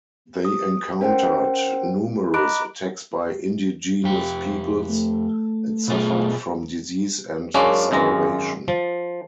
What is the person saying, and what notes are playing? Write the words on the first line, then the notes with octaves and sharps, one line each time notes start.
They encountered numerous attacks by indigenous peoples and suffered from disease and starvation.
D#6
C#4 A#4 C5 F#5 G5
D#5 A#5 B5 D6 F#6 D7
F2 G4
A3
B2 F4 G#4
F#2 G#3 A#3 C#4 D4
G#1 F#2 G#3 A#5
F3